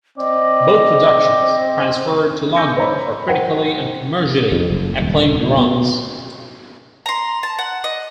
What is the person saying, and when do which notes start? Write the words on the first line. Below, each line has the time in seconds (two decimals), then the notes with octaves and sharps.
Both productions transferred to London for critically and commercially acclaimed runs.
0.18 C4 D5 D#5
2.56 C#6 D6 E6 G6 A#6 C#7
2.77 C5 C#5 D#5 A#5 B5
3.28 A#4 C5 F#5 G5
4.52 F2
4.70 F#1
5.00 D#1
5.41 A#2
5.57 B2
7.06 A#5 C6
7.43 A5
7.59 F#5
7.84 D#5